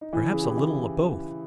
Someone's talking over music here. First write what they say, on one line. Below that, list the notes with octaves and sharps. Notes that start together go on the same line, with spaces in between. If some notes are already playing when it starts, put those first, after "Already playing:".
Perhaps a little of both.
D#4
E3 E4
C#3 G#4
G4
E3
E4